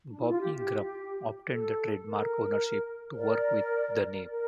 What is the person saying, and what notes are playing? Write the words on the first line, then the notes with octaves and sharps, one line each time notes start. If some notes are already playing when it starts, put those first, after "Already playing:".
Bobby Ingram obtained the trademark ownership to work with the name.
D4
E4
F4
G4
A4
A#4
C5
A#4 D5
A#4